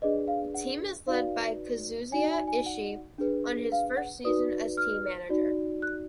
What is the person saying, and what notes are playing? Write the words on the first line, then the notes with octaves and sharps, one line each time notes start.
The team is led by Kazuhisa Ishii on his first season as team manager.
D4 G#4 B4 D5 D#5
F5
F#5
D#4 F#4 B4 D5 F5
D#4 F#4 D5 G#5
G#5
G#5
F#5
D4 G#4 B4
F5
F#5
D#4 F#4 B4 D5 D#6
F6
D#4 F#4 D5
F#6